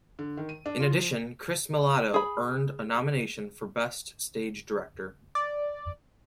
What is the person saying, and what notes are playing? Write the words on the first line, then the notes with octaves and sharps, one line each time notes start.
In addition, Chris Millado earned a nomination for Best Stage Director.
D3
D#3
D#7
D4
F4
F3
G#4 B5
D5